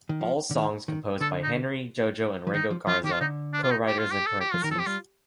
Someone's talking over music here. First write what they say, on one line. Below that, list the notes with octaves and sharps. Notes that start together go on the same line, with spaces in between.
All songs composed by Henry, Jojo, and Ringo Garza; co-writers in parentheses.
D#3
F3
D3
D#3
D#3
D3 A4
D#4
F3
D#3 D#4
F3
F3 F4
D#3 G4
F4
D3 D#4
D4
F4
D#4
G4
F4
G4
A4
G4
F3 F4
D#3 A#4
A4
F3
G4
G3 F4